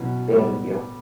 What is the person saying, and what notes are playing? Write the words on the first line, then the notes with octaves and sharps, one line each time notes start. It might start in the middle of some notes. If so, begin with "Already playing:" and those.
Thank you.
Already playing: B2 F#3 C#4 E4
A2 G3 B3